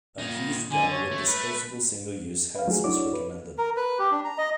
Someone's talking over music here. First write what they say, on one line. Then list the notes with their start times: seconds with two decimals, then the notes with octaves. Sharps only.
A Heaf gun with disposable single-use heads was recommended.
0.18 A#2 D#4
0.70 D3 G#5
0.90 C#5
1.11 A3
1.26 B4
2.55 B4 F5
2.68 F#3 A3 D#4 F4 F#4 G#4
2.84 D4 E4 F#4 C#5 D5 D6
3.13 B4
3.58 A#4
3.76 B4
3.99 G4
4.11 D4
4.25 A#5
4.38 D#5